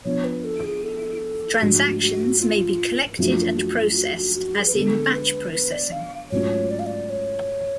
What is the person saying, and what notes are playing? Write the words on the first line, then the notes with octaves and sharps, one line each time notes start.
Transactions may be collected and processed as in batch processing.
F3 B3 D4 C#5
B4
A4
G#4
A4
G#2 F3 A3 D4 F#4
F#4
F4
F#2 F3 A3 D4 F#4
F4
F#4
F4
F4
F#4
F#4
F#4
G#4
B4
D3 G#3 B3 A4
B4
B4
D5
F5
G#2 F#3 A3 C#4 F4 C#5
D5
F5
D5
C#5